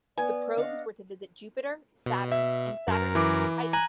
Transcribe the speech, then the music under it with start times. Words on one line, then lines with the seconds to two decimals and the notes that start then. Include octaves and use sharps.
The probes were to visit Jupiter, Saturn, and Saturn's moon Titan.
0.18 B3 D5 G#5
0.57 D4 D#5 F5 F#5
2.06 B2
2.32 E5
2.88 F#2 A#4
3.15 E3 D6
3.73 G#5 A#5 F#6